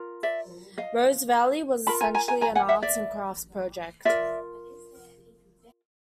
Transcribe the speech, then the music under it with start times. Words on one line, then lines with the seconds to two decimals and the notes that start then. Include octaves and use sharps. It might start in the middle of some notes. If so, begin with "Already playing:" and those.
Rose Valley was essentially an arts and crafts project.
Already playing: F4 A#4
0.23 D5 E5
0.78 D#5 F5
1.87 F4 A#4 A5 B5
2.01 G#5 A#5
2.15 G#5 A#5
2.28 G#5 A#5
2.41 G#5 A#5
2.55 F#5 G#5
2.69 E5 F#5
2.82 D5 E5
4.05 F4 A#4 D5 E5